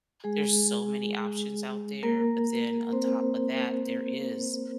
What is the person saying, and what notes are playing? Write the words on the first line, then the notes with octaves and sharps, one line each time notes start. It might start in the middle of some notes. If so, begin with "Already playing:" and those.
There's so many options out there, but then on top of that, there is
G#3 G#4
A#3 A#4
C4 C5